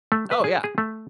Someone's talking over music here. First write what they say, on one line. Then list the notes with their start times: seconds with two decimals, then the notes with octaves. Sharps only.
Oh, yeah.
0.12 A3
0.31 B4
0.44 G#4
0.64 G#4
0.78 A3